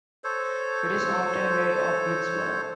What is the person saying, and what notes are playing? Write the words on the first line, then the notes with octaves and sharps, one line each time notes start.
It is often made of litz wire.
A4 C5 C#5